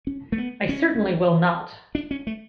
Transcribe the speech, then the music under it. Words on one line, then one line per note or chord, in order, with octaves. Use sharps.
I certainly will not!
C#4
A3
B3
C#4
D4
C#4
A3